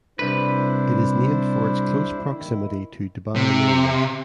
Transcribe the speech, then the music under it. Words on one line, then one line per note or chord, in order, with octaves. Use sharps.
It is named for its close proximity to Dubai Marina.
C2 D4 E4 B4 C5
D#3 E4
C3